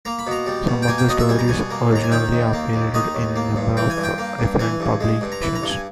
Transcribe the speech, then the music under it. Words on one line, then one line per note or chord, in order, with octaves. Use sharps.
Some of the stories originally appeared in a number of different publications.
A#3 A#5
B5
B2 A#5
G3
B2
G5
A#3 G#5
G5
B2 D#5
E5
G3 G#5
A#5
B2 G#5
A#3
D#2 A#5
G#5
D#3 G5
D#2
A#3
D#2
D#3 D#5
D#2
A#3
G2
E3 G5
G#5
G2
G5
A#3
G2
E3 G#5
G2
G#3
G2
A#5
E3 B5
A#5
G2
G#5